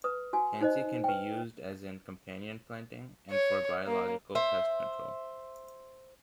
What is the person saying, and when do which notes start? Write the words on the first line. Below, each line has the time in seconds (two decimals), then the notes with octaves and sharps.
Tansy can be used as in companion planting and for biological pest control.
0.04 B4 D#6
0.33 F#4 G#5
0.61 D#4 C5 D#5
1.04 B4 G5
3.31 C#5
3.86 A#3
4.35 C5 E5